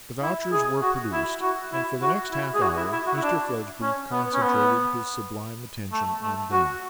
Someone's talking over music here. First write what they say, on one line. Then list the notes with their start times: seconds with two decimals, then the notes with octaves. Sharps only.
The vouchers were produced, and for the next half-hour Mr Fledgeby concentrated his sublime attention on them.
0.22 E4
0.52 G#4
0.83 F#4
1.13 E4
1.42 F#4
1.73 E4
2.02 F#4
2.32 E4
2.55 G#4
2.62 F#4
2.77 E4
2.92 E4
3.07 F#4
3.17 E4
3.23 D4
3.82 C#4
4.12 B3
4.34 C#4
4.43 B3
5.92 A3
6.23 A3
6.52 F#4